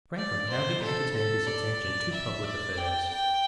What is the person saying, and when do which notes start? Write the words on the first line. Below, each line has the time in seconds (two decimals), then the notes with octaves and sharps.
Franklin now began to turn his attention to public affairs.
0.17 D5
0.49 C5
0.82 A4
1.14 A4
1.47 D5
2.12 E5
2.45 D5
2.78 G5
3.10 G5